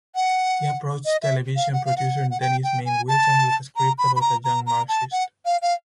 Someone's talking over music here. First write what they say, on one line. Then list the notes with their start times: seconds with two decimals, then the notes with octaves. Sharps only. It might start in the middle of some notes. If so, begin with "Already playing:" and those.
He approached television producer Dennis Main Wilson with a script about a young Marxist.
0.15 F#5
1.05 D#5
1.22 E5
1.56 F5
1.73 F#5
1.85 F5
1.97 F#5
2.31 F#5
2.41 G5
2.64 G5
2.86 G#5
3.08 A5
3.76 A#5
3.98 B5
4.16 B5
4.21 A#5
4.44 A#5
4.67 A#5
4.89 A5
5.12 F#5
5.45 F5
5.62 F5